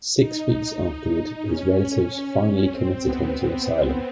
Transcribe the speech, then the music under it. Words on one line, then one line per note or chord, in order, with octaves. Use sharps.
Six weeks afterward, his relatives finally committed him to an asylum.
D#4
C#4
C4
B3